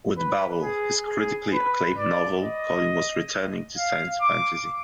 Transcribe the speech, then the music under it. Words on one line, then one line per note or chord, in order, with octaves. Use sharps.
With "Babel", his critically acclaimed novel, Colin was returning to science fantasy.
B4
G#4
G#4
B4
D5
D#5
F5
D6